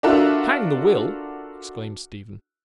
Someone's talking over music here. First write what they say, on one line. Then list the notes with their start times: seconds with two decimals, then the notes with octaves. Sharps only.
"Hang the will!" exclaimed Stephen.
0.03 D4 F4 F#4 A4 A#4 E5